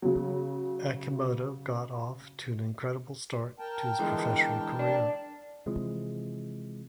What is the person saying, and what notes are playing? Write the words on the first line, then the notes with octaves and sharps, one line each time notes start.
Akimoto got off to an incredible start to his professional career.
C#3 F#3
A#4 G5 A5
D3 E3 G#3
D4
C3 E3 F3 G#3